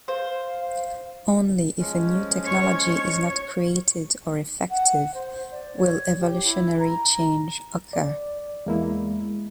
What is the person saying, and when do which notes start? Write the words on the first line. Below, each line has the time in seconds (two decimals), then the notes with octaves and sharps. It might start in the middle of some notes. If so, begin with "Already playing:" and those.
Only if a new technology is not created or effective will evolutionary change occur.
0.08 C5 F5
1.79 F3 G#3 C#4
2.43 C#5
4.70 F#5
5.14 C5
5.51 D5
5.77 C#5
6.18 G4
6.44 E4
6.79 A#5
7.93 D5
8.66 E2 G#3 A#3 E4